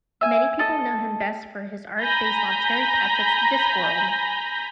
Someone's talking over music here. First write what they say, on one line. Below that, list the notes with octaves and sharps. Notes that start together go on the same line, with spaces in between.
Many people know him best for his art based on Terry Pratchett's "Discworld".
E5 G#5
A4 D#5
G#5 A#5 B5 G6 A#6